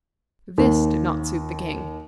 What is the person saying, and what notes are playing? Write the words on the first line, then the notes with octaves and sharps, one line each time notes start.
This did not suit the king.
D#2